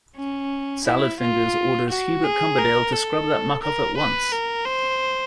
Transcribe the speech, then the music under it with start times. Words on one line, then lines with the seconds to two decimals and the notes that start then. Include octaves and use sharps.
Salad Fingers orders Hubert Cumberdale to scrub that muck off at once!
0.16 C#4
0.85 E4
1.21 F4
1.90 F#4
2.24 G#4
2.59 A#4
2.93 A4
3.63 A#4
3.98 B4
4.32 A#4
4.66 C5